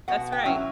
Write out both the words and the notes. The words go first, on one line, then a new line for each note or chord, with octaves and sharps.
That's right.
B2 F#5
G5
F#3 C#4 E4